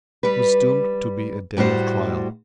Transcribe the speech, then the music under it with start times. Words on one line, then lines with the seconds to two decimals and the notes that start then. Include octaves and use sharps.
It was doomed to be a day of trial.
0.23 G3 B4
1.57 A2 G3 F#4 C5